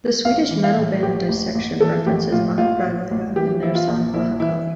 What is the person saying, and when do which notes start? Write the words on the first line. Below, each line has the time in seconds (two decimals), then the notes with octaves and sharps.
The Swedish metal band, Dissection, references "Mahapralaya" in their song, "Maha Kali".
0.25 A1 F5
0.51 E3
0.64 F5
0.77 A2
1.03 A1 G4
1.29 A1
1.55 A1
1.81 E3 A4
2.06 A1 G4
2.32 A2 F4
2.58 A1 F4
2.85 A2
3.11 A1
3.36 E3 G4
3.62 E3 E4
3.75 F4
3.88 A#1
4.14 A#1 E4
4.40 E3 E4